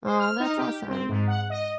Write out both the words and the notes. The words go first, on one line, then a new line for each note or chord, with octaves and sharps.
Aw, that's awesome.
C5
F6
D#4
G4
C4
G#2
F#5
D#5